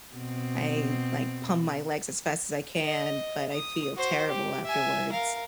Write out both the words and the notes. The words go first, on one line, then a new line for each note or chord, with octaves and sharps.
I like pump my legs as fast as I can, but I feel terrible afterwards.
B2 C4
D#5
D#6
F#4 C5
G4
E5 G#5
A#4 F5